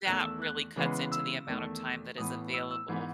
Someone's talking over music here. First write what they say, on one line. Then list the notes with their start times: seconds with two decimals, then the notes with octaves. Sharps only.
that really cuts into the amount of time that is available
0.05 E2 D#3 A3 F#6
0.23 E6
0.42 F#6
0.76 C#3 E3 G#3 B3
1.12 E6
1.47 E2 D#3 A3
2.18 A2 E3 B3 D#6
2.54 E6
2.71 E6
2.88 G#2 E3 B3